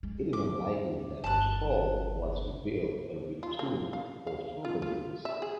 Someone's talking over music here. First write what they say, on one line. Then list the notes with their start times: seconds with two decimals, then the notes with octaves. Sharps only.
It is unlikely that the hull was rebuilt and retooled for further use.
0.03 G#3
0.33 D6
1.24 G1 A5 F#6
3.43 F4
3.59 A#3
3.93 F5
4.27 F5
4.65 F4
4.82 F4
5.25 E5
5.42 G#4